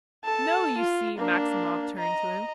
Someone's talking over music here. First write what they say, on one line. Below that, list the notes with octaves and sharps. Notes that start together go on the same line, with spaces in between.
"No, you see," Maximov turned to him.
A4 A5
F4
A#3 D4
D#5 A#5